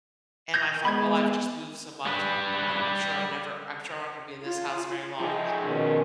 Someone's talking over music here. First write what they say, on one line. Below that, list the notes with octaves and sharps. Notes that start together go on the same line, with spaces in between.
and I thought, "Well, I've just moved so much, I'm I'm sure I'm never, I'm sure I'm not gonna be in this house very long."
G6 G#6 A#6
G#3 B3 B5 G#6
G3 B4
F4
F3 D#4 G#4 E5 G5
B2 D#3 C#4